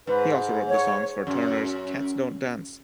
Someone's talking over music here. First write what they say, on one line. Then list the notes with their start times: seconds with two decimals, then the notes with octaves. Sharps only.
He also wrote the songs for Turner's "Cats Don't Dance".
0.07 G#2 B4
0.67 C#5
1.27 F#2